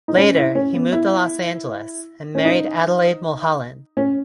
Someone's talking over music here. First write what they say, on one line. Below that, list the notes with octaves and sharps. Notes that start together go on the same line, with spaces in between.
Later, he moved to Los Angeles and married Adelaide Mulholland.
D#4
C#4
E4
C#4
B3
E4
C#4
D#4
C#4